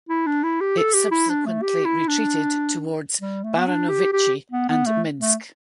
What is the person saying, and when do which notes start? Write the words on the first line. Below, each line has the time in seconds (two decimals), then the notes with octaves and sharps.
It subsequently retreated towards Baranovichi and Minsk.
0.09 E4
0.26 D4
0.43 E4
0.61 G4
0.78 A4
0.94 G4
1.11 E4
1.29 D4
1.45 A3
1.62 G4
1.85 E4
2.08 D4
3.21 G3
3.44 A3
3.57 B3
3.67 D4
3.89 G4
4.12 G4
4.51 B3
4.69 B3
4.86 A3
5.20 A3